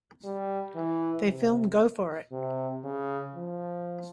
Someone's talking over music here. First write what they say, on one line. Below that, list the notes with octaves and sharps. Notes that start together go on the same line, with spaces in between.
They film Go for It!
G3
E3
C3
C3
C#3
F3